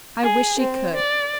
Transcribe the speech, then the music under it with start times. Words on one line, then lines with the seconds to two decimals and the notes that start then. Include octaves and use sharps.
I wish she could.
0.21 G#4
0.59 C4
0.95 D5